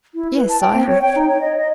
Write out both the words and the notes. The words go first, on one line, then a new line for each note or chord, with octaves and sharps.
"Yes, I have."
E4
B4
A5
G5
C4
C#5
G5
D#4
C#5
D#5
D#5